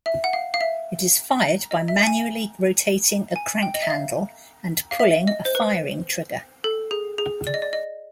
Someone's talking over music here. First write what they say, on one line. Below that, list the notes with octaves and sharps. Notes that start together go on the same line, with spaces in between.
It is fired by manually rotating a crank handle and pulling a firing trigger.
E5
F#5
F5
F5
E5
D#5
E5
G#5
G#5
G5
D#5
E5
F5
F5
E5
D#5
C5
B4
A4
G#4
G#4
D5
D#5
D5
D#5